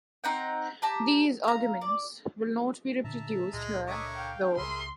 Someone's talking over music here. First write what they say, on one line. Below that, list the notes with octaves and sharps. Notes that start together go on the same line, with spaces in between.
These arguments will not be reproduced here, though.
C4 D#4 F#5 G5
G4 A5 A#5
F5 A#5
D5
A#2 D3 D4 E5 A5 A#5
C#2 A#2 G#3
D3 A#4 C#5 D#5 E5 D6 D#6
F5 G5
C#2 C#3 G#4 A#4 E5 B5 C6 D#6